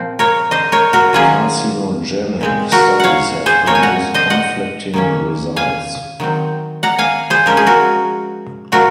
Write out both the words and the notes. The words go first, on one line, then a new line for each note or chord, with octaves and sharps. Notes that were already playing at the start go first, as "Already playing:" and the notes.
Carcinogenic studies have produced conflicting results.
Already playing: A#2 F3 C4
A#4 C#5
C5 D#5
A#4 C#5
F#4 A#4
D#3 F#3 A#3 C#4 F4 G#4
A#2 G#3 C4
F#4 A#4
C#5 F5 F#5
G#4 C5
A#2 F3 G#3 A#4 C#5
G#5
F#5 A#5
C5 D#5
D#5 F#5
D#3 A#3 C#4
F5 G#5
D#3 F#3 C4
F#5 A#5
F5 G#5
G#4 C5
F3 G#3 C#4 A#4
G#4
F#4 A#4
A#2 F3 F#4 A#4